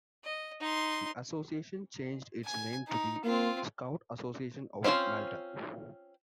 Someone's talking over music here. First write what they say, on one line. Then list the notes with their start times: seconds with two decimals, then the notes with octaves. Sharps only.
The association changed its name to The Scout Association of Malta.
0.24 D#5
0.60 D#4 C6
2.45 G#5
2.88 D#4
3.24 A#3 C4 F4
4.84 C4 C#4 F4 G#4 C5